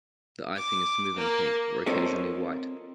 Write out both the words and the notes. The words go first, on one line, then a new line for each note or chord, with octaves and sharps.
The icing is smooth and pink, or occasionally white.
D6
A#3
C4 F4 A4 A#4 C#5 D#5